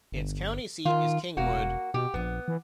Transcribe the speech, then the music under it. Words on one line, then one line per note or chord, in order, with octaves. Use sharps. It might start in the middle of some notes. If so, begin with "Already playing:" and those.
Its county seat is Kingwood.
G1
D#3 F4
E1 A#3 F#4
B2 G4
A#1 B3
E3